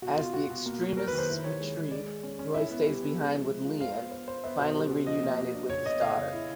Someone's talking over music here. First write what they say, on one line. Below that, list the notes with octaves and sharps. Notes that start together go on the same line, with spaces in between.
As the Extremists retreat, Roy stays behind with Lian, finally reunited with his daughter.
B2 F#4
B2 F4
B2 F#4
B2
A#3
A#3
F#3 A#4
B4
D#3
C5
E4
G4 C#5
G#3
G#3
G#3 D5
G#3
C#4
C#4
E4 E5
B3
G3
B3
G#3
F3
G#3
F4
C5 F5
B3
C5
C5
B3 E5
B2
G3
B2
F3 D#5
A#3
F#4
D4
C#3 C#5
B3 D#5
C#3 F5
C#3
E4